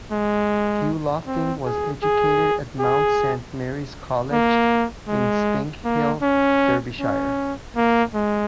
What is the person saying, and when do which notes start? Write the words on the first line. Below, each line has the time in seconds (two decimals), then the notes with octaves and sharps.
Hugh Lofting was educated at Mount Saint Mary's College in Spinkhill, Derbyshire.
0.12 G#3
1.27 C4
1.65 G#4
2.03 G#4
2.79 G#4
4.32 A#3
5.08 G#3
5.85 A#3
6.22 C#4
7.00 C#4
7.76 A#3
8.14 G#3